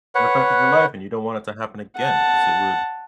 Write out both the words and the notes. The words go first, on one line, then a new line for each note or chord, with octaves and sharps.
It affected your life, and you don't want it to happen again 'cause it would
B4 C#5 F#5
F#5 A5